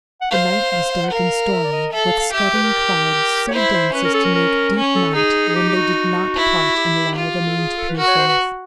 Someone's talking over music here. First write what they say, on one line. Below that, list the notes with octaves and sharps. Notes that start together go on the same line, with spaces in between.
The night was dark and stormy, with scudding clouds, so dense as to make deep night, when they did not part and allow the moon to peer forth.
F#5
C5 F5
F5
F5
F5
F#5
A#4 F5
E5
D5
D#5
A4 E5
F5
F5
G4 E5
E5
B4
A#4
C#5
E4 C5
C5
C#4 B4
A#4
A4
A#4
A#4
C#4
A4
D#4 G#4
G#4
G4
G4
F#4
E4
G4
F4
A4
G#4
A4
B4
F#4 A#4
C#5
C5
B4